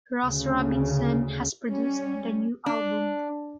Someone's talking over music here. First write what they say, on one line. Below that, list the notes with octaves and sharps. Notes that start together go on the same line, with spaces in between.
Ross Robinson has produced the new album.
D2 C#3
G3 C#4
D4